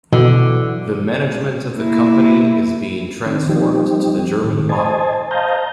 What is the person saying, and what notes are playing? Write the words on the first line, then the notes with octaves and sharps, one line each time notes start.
The management of the Company is being transformed to the German model.
B2 D3 E3 F#3
A#3 E4
D#3 C4 D4
F3 G3 C4 D#4 G4
A2 D#3
C5 D#5 G#5 A5
C5 D#5 F5 A5 A#5 G6